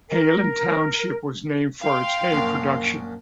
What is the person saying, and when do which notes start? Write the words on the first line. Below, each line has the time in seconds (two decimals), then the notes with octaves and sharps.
Hayland Township was named for its hay production.
0.09 A#4
1.81 F5 G5 C6
2.32 A#1 F#2